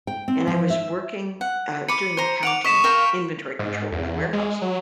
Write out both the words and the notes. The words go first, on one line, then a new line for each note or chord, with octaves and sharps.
And I was working uh, I was doing accounting, inventory control in a warehouse.
G5
C4
F3
E5
F#5
B5 D6 C#7 D#7
C5 A#5
F#5 D6 D7 F7
D#5 C#6 B6 E7
A#4 F5 G5
G#2
E2
G#3
F#3